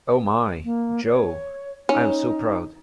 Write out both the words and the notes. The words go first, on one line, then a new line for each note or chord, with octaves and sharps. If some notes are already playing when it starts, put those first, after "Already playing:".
O my, Jo, I am so proud!
A#3
C#5
C#4 D#4